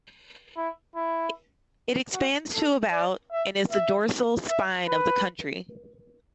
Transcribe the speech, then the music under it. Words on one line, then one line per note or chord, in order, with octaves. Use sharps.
It expands to about and is the dorsal spine of the country.
E4
E4
F#4
A4
D5
E5
E5
E5
B4